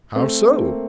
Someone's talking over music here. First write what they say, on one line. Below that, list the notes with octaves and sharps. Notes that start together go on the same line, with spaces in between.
"How so?"
A3 C4
C4
A#3